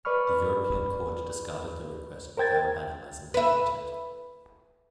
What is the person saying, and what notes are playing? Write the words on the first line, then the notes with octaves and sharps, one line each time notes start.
The European court discarded the request without analysing the content.
B4 D5 B5 C#6 F6
A#4 C5 G5 G#6 A6
B4 E5